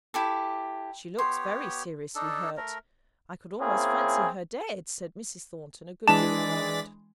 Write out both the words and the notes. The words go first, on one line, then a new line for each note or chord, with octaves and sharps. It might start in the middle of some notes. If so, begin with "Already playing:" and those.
'She looks very seriously hurt,--I could almost fancy her dead,' said Mrs. Thornton, a good deal alarmed.
E4 G4 A4
B3 G4 C#5 C6
D4 D#4 A4
A3 A#4
A#3 C4 C#4 E4 G#4
E3 G#3 D4 D5 A5 A6 B6